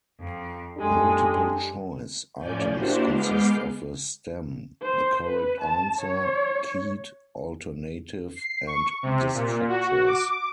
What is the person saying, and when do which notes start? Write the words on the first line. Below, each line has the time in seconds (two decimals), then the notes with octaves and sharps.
Multiple choice items consist of a stem, the correct answer, keyed alternative, and distractors.
0.19 F2
0.78 F#2 G#3 D4 G4 A4
2.37 A2 F3 C#4 D5 G#5 G6
2.72 A#3 D4 E4 F#4 G4 C5
3.04 G#3 B3 D6 F6 G6 C7
4.82 C5
5.27 B4
5.61 A5
6.02 C#5
8.35 C7
8.67 C#6
9.03 C3
9.34 A#2
9.69 F#4
10.06 D6